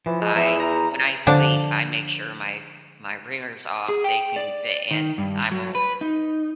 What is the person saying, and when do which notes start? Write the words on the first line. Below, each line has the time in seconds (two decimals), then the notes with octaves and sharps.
I when I sleep I make sure my my ringer's off. They can a and I will
0.06 E3 F3
0.21 G#3
0.36 E2 E5
0.60 A#5
1.27 D3 F3 D4 A5
3.89 G#4
4.04 G5
4.36 D5
4.91 D#3
5.18 G2
5.51 F#3
5.75 B4
6.01 D#4